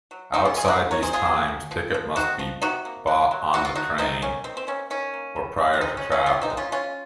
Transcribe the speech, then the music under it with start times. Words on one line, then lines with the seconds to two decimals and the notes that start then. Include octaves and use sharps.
Outside these times, ticket must be bought on the train or prior to travel.
0.11 F#3
0.34 C#3 C4 D#4
0.45 C#4 F4
0.56 C#3 F4 G#4
0.64 C5
0.68 F#4 A#4
0.80 D#3
0.91 A#4 C#5
1.02 D#3 G#4 C5
1.13 F4 G#4
1.25 F#3
1.48 F#3
1.71 F3
1.94 F3
2.16 C4 D#4 F#4
2.39 F3
2.62 C3 D#4 F#4
2.85 A#3
3.07 F#3
3.31 F#3
3.53 F3 D#4 F#4
3.65 F4
3.75 F3 D#4 F#4
3.98 A#3 C4 D#4
4.22 A#3 C#4
4.44 D#3 C4
4.57 C4
4.67 A#3 C#4
4.90 D#3 C#4
5.13 A#3
5.36 C4
5.58 C4
5.73 F4
5.81 G#3 C4 D#4
5.97 C#4
6.04 G#3
6.12 C#4
6.26 C#3 C#4 F4
6.42 C4 D#4
6.50 G#3
6.57 C#4 F4
6.72 C#3 C#4 F4